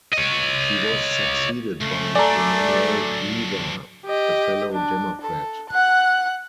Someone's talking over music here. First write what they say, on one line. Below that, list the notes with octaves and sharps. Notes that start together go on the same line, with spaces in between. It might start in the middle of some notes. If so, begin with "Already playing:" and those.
She was succeeded by Emanuel Cleaver, a fellow Democrat.
C#5 D#5
C#2 C#3 A3
F#3 D4 A4 D5 G#5 A#5
G4 D#5
D4
A4
F#5 F#6